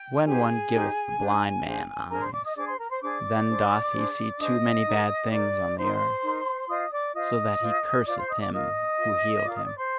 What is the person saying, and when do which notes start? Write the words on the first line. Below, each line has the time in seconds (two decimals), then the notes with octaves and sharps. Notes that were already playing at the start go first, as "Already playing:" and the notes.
And when one giveth the blind man eyes, then doth he see too many bad things on the earth: so that he curseth him who healed him.
Already playing: G5
0.27 D#4 G4 G#4 C5 G#5
0.73 D#4 G4 C5
1.18 D4 G#4 C5
1.64 D4 G#4 C5
2.10 D4 G#4 A#4 C5 A#5
2.21 C5 C6
2.33 D5 D6
2.44 D#5 D#6
2.56 D4 G#4 C5 D5 D6
2.68 C5 C6
2.79 A#4 A#5
2.90 C5 C6
3.01 D4 G#4 C5 D5 D6
3.48 D4 G#4 C5
3.94 D4 G#4 C5
4.39 D4 G#4 C5 D#5 D#6
4.86 D#4 A#4
5.31 D#4 A#4 D5 D6
5.77 D#4 A#4 C5 C6
6.23 D#4 A#4
6.68 F4 C5 D#5 D#6
6.92 D5 D6
7.14 F4 C5 D#5 D#6
7.61 F4 C5
8.06 F4 C5 D5 D6
8.18 C5 C6
8.30 D#5 D#6
8.41 D5 D6
8.52 F4 A#4 D#5 D#6
8.98 F4 A#4
9.44 F4 A#4 D5 D6
9.56 D#5 D#6
9.66 D5 D6
9.78 C5 C6